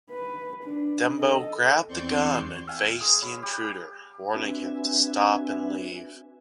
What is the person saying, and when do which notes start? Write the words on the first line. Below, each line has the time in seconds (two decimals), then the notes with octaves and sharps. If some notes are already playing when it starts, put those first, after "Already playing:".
Dembo grabbed a gun and faced the intruder, warning him to stop and leave.
0.11 B4
0.64 D4
1.17 A4 D#5
1.87 E2 C4 D5 C6 C#6 G6
2.67 E5 F5 G5 G#5
3.01 G#3 D#6
3.22 C#5 B5 C#6
3.42 G4
4.34 C4 D4 F#4 B4 E5 G#5